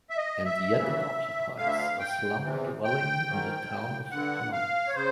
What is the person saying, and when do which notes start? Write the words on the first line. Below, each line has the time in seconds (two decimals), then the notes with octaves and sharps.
And yet it occupies a slum dwelling in the town of economics.
0.10 E5
0.17 D#5
0.45 E5
0.73 D#2 C#3 E3
1.58 D2 D3 F5
1.67 E5
1.77 F5
1.99 G5
2.42 E2 C3 E3
2.84 G5
3.26 G#2 D#3
4.11 G2 D3 F#5
4.53 F5
4.88 C#5
4.95 C#3 C5